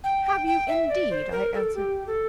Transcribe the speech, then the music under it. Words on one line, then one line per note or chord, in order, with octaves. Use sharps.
'Have you, indeed?' I answered.
G5
G5
G5
E5
D5
C5
A#4
A4
G4
A4